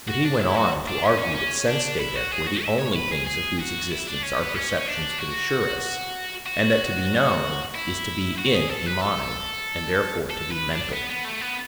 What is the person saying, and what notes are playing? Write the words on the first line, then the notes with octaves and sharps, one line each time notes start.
But he went on to argue that sense-data were the only things of whose existence our perceptions could assure us; and that to be known is to be 'in' a mind, and therefore to be mental.
F#4
D4
E4
F#4
D4
C#4
C#4
C#4
D4
E4
F#4
G#4
F#4
E5
C#5
B4
G#4
G#4
F#4
E4
D4
C#4
B3
C#4
C#4
D4
F#4
F#4
E4
F#4
G#4
A4
B4
A4
A4
B4
D4
B3
B3
A3
B3